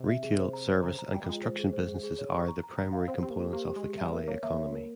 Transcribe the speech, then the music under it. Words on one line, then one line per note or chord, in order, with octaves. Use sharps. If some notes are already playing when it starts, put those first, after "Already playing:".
Retail, service, and construction businesses are the primary components of the Calais economy.
Already playing: C3
E5
G#4
C5
A#5
C5
C#3 A#5
A#5
G3 G5
G3
G#3 F4
C5
G#4
C5
G#4
G#4
C#5
C#6
A#5
A#5
A#5
F5
C4 C5
C4 G4
A#3
C5
A#3 G4
G4
G#3
G4
G3 E5
A#3 A#4
A#3 C#5
A#3 E5
C#5
A#4